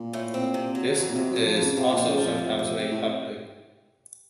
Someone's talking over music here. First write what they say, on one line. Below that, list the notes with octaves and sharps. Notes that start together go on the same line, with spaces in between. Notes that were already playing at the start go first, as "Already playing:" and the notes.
This is also sometimes made public.
Already playing: A#2
A2
C4
C3
F#3
F2
A#2
F2 C3
F2 F#3
F3
F2
C#3
C3 F3
A#2
F3
C#3
F3
F2
C3
C3
C4
A2